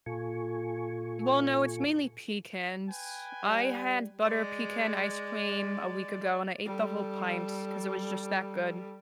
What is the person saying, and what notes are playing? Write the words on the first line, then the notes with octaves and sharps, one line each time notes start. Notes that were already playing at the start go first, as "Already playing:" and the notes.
Well, no, it's mainly pecans. I had butter pecan ice cream a week ago and I ate the whole pint 'cause it was just that good.
A#2 F4 A4 G#5 C#6
B4 G5 G#5
G3
G#3 D5
G3 A4